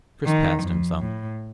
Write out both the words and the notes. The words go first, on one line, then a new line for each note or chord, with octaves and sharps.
Chris passed him some.
D#3
F2
A2